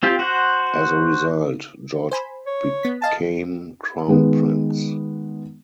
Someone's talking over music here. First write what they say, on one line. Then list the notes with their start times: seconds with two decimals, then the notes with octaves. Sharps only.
As a result, George became Crown Prince.
0.03 C4 F4 G4
0.19 F#4 C5 F#5
2.11 C5 G#5 B5
2.46 C#5
2.83 B3 B6
3.02 D#5 F5 G#5 A5
4.08 D#3 G#3 B3